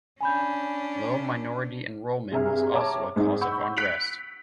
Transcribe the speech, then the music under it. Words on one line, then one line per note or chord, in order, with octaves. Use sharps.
Low minority enrollment was also a cause of unrest.
C#4 D4 G#5 B5 G6
G2 C3 G#4 E5 A#5 F6
C#5 E5 G5 A5 A#5 D6
G#2 C4 D#4
F#5 B5 C#6 E6 G6
F#6 B6 C#7 D7 F7 F#7